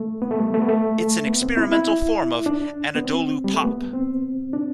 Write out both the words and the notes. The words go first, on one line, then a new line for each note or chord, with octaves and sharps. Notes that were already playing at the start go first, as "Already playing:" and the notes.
It's an experimental form of "Anadolu Pop".
Already playing: A3
B3
A3
G3
A3
B3
A3
A3
B3
C4
E4
E4
D4
B3
C4
G3
A3
B3
C4
D4